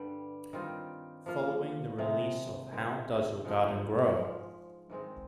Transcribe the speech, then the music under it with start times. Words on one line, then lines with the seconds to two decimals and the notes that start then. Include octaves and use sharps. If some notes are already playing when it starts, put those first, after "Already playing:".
Following the release of How Does Your Garden Grow?
Already playing: G2 D3 G3
0.53 D#3 G3 C4 F4
1.26 F3 A#3 F4
1.98 C3 D#3 G#3
2.72 D#3 G#3 C4
3.44 D3 F3 G#3 D#4
4.17 G#2 F3 G#3
4.90 G#2 D#3 G#3 C4